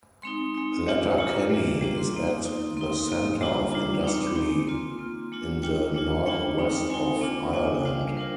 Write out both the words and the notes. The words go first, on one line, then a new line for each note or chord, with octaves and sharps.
Letterkenny is at the centre of industry in the northwest of Ireland.
G#3 C4 D#4 C6
G#3 C4 D#4
G#3 D4 F4
G#3 D4 F4 A#5
G3 A#3 D4 F4
G3 A#3 D4 F4 D6
C6
A#3 D#4
A#3 D#4
A#3 D#4 C6
A#3 D#4
G3 D4 F4 A#5
G3 D4 F4
G#3 C4 D#4 D6
G#3 C4 D#4
A#3 F4 C6
A#3 F4
G#3 D4 F4
G#3 D4 F4 G5
G#3 D4 F4
G#3 D4 F4 G5
G#3 C4 D#4
G#3 C4 D#4 G#5
A#3 D4 F4
A#3 D4 F4 G#5
G#5
G5
G3 D4 F4 F5
C5
G3 D4 F4 A#4